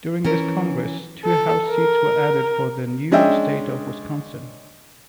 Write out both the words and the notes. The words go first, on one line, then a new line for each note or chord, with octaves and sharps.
During this congress, two House seats were added for the new state of Wisconsin.
E3 C#4 A#4
A4
A#4
G#3 C#4 D4 D#5 E5 G5